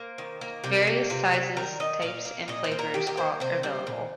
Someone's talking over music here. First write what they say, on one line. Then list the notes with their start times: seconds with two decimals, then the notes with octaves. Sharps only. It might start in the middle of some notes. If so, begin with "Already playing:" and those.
Various sizes, types and flavours are available.
Already playing: A#3 C5
0.18 D#3
0.41 A#3
0.64 C3 G4
0.87 A#3
1.10 C3 F4
1.34 G3
1.57 D#3 A#4
1.80 D#3 D#5
2.02 A#2 F5
2.25 A#3
2.48 A#2 D#5
2.64 C5
2.71 A#3
2.79 A#4
2.94 D#3 G4
3.07 G4
3.17 A#3 C5
3.40 C3 C5
3.63 G3 C5
3.87 A#2